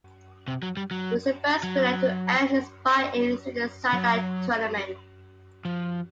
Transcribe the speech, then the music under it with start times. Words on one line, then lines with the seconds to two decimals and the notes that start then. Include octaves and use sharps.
He was the first winner to earn his buy-in through a satellite tournament.
0.48 C3
0.63 F#3
0.77 G3
0.91 F#3
1.63 F#3
3.93 F#3
5.65 F3